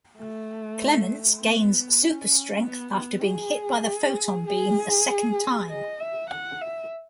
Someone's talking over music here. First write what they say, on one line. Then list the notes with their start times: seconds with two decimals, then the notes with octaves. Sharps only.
Clements gains super-strength after being hit by the photon beam a second time.
0.18 A3
1.40 B3
2.02 C#4
2.63 B3
2.94 B3
3.24 G#4
4.47 G#4
5.70 D#5
6.00 E5
6.30 F#5
6.61 E5